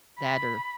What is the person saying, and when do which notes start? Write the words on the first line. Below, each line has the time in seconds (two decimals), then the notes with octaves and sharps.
That or,
0.20 B5